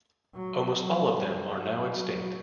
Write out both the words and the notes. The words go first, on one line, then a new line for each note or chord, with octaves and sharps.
Almost all of them are now extinct.
F#3
F#3
G3
F#3
F#3